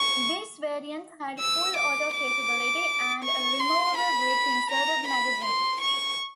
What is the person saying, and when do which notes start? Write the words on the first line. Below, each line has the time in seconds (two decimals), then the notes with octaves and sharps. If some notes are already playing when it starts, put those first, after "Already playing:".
This variant had full auto capability and a removable grip inserted magazine.
Already playing: C#6
1.40 E6
1.76 D6
2.14 D6
3.24 C#6
3.60 C6
3.97 B5
4.70 A#5
5.07 B5
5.44 C6
5.81 C#6